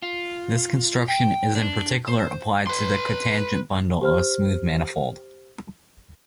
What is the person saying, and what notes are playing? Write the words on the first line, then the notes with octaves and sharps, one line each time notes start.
This construction is in particular applied to the cotangent bundle of a smooth manifold.
F4
G5
D4
C5
B4 C6
G4 C5 F6